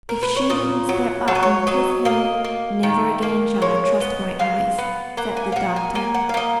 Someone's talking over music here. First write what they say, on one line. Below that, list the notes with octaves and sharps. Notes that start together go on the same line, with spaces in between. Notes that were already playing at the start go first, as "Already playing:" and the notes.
"If she didn't step up and kiss him, never again shall I trust my eyes!" said the doctor.
A#4
B4
C#5
A#2 D#5
F#3
F#3 C#5
D#5
C#5
F#3 D#5
A#3 D#5
A#3
D#3
A#3
G#3 C#5
B3 D#5
G#3 F5
B3 F#5
A#3 F#5
G#5
F5
A#3 F#5
G#5
A#3 G#5
F#5
F5
A#3 D#5